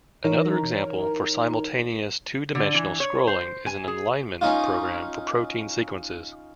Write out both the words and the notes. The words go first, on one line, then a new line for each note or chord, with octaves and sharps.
Another example for simultaneous two-dimensional scrolling is an alignment program for protein sequences.
E3 D#4 A#4 C#5 A#5
D3
E3
C#5
C5
G#5
G#4
C#4 D#4 F4